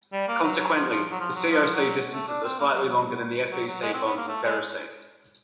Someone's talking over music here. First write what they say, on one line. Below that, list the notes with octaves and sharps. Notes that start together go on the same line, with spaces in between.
Consequently, the Co-C distances are slightly longer than the Fe-C bonds in ferrocene.
G3
A#3
F#3
F#3
F3
F3
F#3
F3
F#3
F3
F#3
A3
D4
C4
A#3
F#3
F#3
F#3
F#3
G#3
C4
B3
A#3
A3
G#3